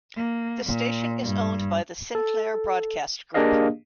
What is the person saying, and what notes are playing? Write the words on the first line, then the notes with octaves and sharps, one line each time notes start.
The station is owned by the Sinclair Broadcast Group.
A#3
A#2
G2
A4
A#3 D4 G4 G#4 D#5 F5